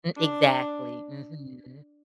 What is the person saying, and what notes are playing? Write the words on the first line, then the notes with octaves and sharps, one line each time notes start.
M exactly, mhm.
D4